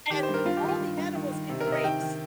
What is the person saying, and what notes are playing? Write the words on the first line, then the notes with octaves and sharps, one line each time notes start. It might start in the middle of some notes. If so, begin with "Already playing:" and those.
and with all the animals in the race,
D#3 G4
C5
G2 A#4
G2 F4
G4
D#3
F4
G2
G2
D#3
D#3
C3
A#4
C3
D#5
D#3 G5
D#3